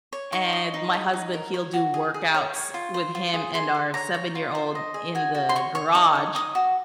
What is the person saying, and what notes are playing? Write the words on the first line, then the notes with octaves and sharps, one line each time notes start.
and my husband, he'll do workouts with him and our seven-year-old in the garage,
C#5
D#4 C#6
D#5
D#4
G#4
D#4
A#4
C#5
F#4
G#4
G#4
C#5
C#5
F4
C5
F4
G#4
G#4 C6
G#4
C#5 A#5
C#5
F4
C5
D#5
G#4
F#4 G#5
F#4
C6
C#5 C#6
C#5 C#6
D#4 C#6
C#5
D#4 D#6
F#4